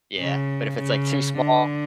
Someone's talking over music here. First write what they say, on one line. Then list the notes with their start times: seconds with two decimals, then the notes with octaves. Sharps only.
yeah, but if it's, like, too small,
0.18 C#3
0.78 C#3
1.39 D3